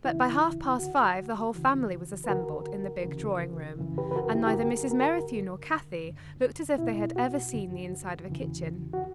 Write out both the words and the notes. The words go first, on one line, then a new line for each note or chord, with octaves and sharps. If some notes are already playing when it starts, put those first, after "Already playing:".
But by half-past five the whole family was assembled in the big drawing-room, and neither Mrs. Merrithew nor Kathie looked as if they had ever seen the inside of a kitchen.
E2 C#3 E3 E4
D2 D3 F#4
C#2 C#3 E3
B4
D2 D3 F#4 A#4
D2 C#3 E3
F#2 C#3 E3
G4 B4
B4
F#4 A#4
E4 G4
G4
G2 D3 F#4 A#4
F#4 A#4
G2 D3
F#2 D3
C#2 B2 E4
F#4
F#2 D3
E2 C#3 E3
F#4